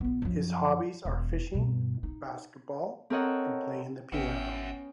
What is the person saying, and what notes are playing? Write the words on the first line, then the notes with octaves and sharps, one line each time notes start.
His hobbies are fishing, basketball, and playing the piano.
A#1 B3
F#2 F3
E1
G2 B2
D#4
C4 A4 A#4 C#5 D#5 F#5
G#1 B3 C#4 F#4 E5 G5